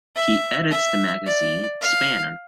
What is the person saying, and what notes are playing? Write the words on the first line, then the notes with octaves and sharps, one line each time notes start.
He edits the magazine "Spanner".
E5
E5
D5
F5